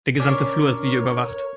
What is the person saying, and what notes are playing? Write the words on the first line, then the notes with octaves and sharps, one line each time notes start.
Der gesamte Flur ist videoüberwacht.
C#4 D4 A#4 C#5 D6